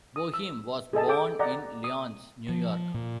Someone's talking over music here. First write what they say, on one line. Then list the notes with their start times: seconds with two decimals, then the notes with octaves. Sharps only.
Boeheim was born in Lyons, New York.
0.16 D#6
0.34 E6
0.93 G#4 A4 D#5 A5
1.08 A4 G5 D6
1.39 D5 D#5 F#5 G5 A#5
1.84 D#6
2.49 F3
2.94 A#2